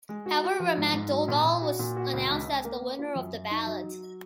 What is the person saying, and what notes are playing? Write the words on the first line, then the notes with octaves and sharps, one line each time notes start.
However MacDougall was announced as the winner of the ballot.
G#3
F#4
F#4
F3
G#2
G#2
F#3
A#2
A#2
F#4
A#2
F#4
C#2
C#2
C#2
A#3
A#3
F4
F#2
F#2
D#4
F#3
F#3